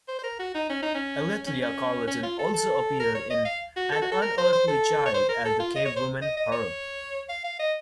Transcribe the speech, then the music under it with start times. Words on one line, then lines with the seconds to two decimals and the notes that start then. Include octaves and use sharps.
Alethea Charlton also appeared in "An Unearthly Child" as the cavewoman, Hur.
0.08 C5
0.19 C5
0.24 A#4
0.39 F#4
0.55 D#4
0.70 C#4
0.82 D#4
0.95 C#4
1.46 C#4
1.62 C#4
2.08 C#4
2.23 F4
2.39 A4
2.54 A4
3.00 A#4
3.15 C#5
3.30 D#5
3.45 F5
3.76 F#4
3.92 A4
4.02 F#4
4.12 A4
4.22 A#4
4.37 C5
4.53 C5
4.68 A4
5.06 C#5
5.14 C5
5.29 A#4
5.45 A4
5.60 F4
5.76 D#5
5.85 C#5
5.96 C5
6.22 D#5
6.37 D#5
6.52 C#5
7.29 F5
7.44 F5
7.60 D#5